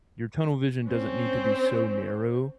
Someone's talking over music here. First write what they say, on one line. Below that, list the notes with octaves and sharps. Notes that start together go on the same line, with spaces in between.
Your tunnel vision doesn't need to be so narrow
C4 C#4